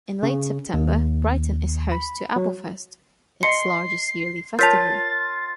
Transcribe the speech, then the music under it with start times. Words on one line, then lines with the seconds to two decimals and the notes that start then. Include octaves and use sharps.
In late September, Brighton is host to Applefest, its largest yearly festival.
0.23 C#3
0.74 D#2
1.92 B5
2.36 F#3
3.43 D#5 C6 C7 C#7
4.59 F4 A#4 C#5 A5 G6 A6 B6 F7